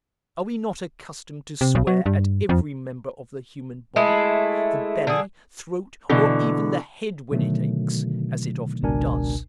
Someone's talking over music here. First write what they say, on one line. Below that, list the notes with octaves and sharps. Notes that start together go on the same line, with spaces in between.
Are we not accustomed to swear at every member of the human body, the belly, throat, or even the head when it aches, as it often does?
C3
B1
F#3
G2
F2
G#3 A3 E4
D3 G#4
B2 D3 E3
B2 D3 D#3 F#3 A3
G#1 C#2 B2 D4 A#4 G#5